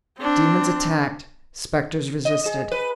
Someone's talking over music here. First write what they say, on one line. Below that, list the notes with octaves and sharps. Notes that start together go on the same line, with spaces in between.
Demons attacked, spectres resisted.
C4 D4
D#5
G#4
B4